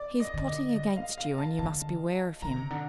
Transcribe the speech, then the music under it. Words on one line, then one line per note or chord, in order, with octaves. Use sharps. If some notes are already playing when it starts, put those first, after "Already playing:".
He is plotting against you, and you must beware of him.
Already playing: D5
D#5
D3
D#5
D#5
F5
F5
A5
D3 A5
D3 A#5
C3
D3